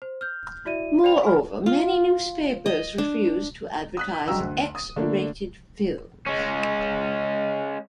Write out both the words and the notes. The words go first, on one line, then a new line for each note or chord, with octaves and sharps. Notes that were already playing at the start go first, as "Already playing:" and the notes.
Moreover, many newspapers refused to advertise X rated films.
C5
F6 G6
E4 F#4 D5 E5 D#7
C5 D5 G5 B5 F7
F#5 G#5 B5 F6
F4
D#5
D4
D#6 F#6 B6
F#1 G2 F#4 G5 A#5 E6
D2
D#6
D3 A3 A#3 D4
G#3 C#4